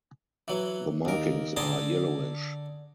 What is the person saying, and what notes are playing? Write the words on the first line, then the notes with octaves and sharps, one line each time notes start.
The markings are yellowish.
E3 F#3
D#2 A#4
D3 G#4 A5 A#5 C6